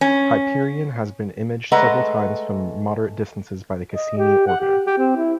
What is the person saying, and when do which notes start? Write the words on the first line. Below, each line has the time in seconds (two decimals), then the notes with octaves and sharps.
Hyperion has been imaged several times from moderate distances by the "Cassini" orbiter.
0.01 C#4
1.72 G#3 A3 B4 D#5 F#5 A#5
3.94 D#5
4.18 G4
4.47 F#5
4.61 G4
4.86 G4
4.98 C4
5.16 E4